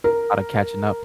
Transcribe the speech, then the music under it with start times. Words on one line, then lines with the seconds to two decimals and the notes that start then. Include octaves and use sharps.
Lotta catching up.
0.04 A#4